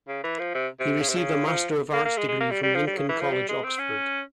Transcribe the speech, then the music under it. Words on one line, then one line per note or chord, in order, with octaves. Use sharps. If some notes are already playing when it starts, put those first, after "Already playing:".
He received a Master of Arts degree from Lincoln College, Oxford.
C#3
E3
F3
C3
C3
C#3
C3
C#3
F3
A#3
A#3
G#3
G#3
A#3
G3
G3
F3
G3
C#3
E3
F3
G3
G#3
C4
C#4